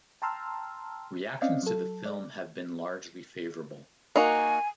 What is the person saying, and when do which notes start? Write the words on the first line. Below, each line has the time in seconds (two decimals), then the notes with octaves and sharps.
Reactions to the film have been largely favorable.
0.22 G5 A5 A#5 C6 E6 F6
1.42 C4 C#4 D5 D#5 F5
1.63 F#3 A4
2.06 D5
4.16 A#3 D#4 F#4 G#5